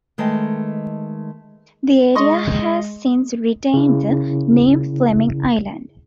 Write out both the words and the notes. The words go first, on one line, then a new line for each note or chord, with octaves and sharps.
The area has since retained the name Fleming Island.
D#3 G#3 A3 B4 D#5 G5
G#3 D#5 C6 C#6
C#3 E4